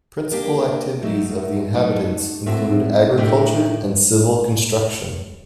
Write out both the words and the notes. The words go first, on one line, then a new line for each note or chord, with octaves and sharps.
Principal activities of the inhabitants include agriculture and civil construction.
A#3 D4 G4
F#3 A3 D#4 F#4
F#3 A3 D#4 A4 D5
A2 A3 C4 F#4 C5
A2 A3 D4 G4